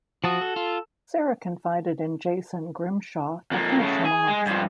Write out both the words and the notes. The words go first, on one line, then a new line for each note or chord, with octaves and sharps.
Sarah confided in Jason Grimshaw to finish him off.
F3 F#4 A5 D#6
A4
F4
F2 A#3
C#3 A3
G#4
G#3
G2 F3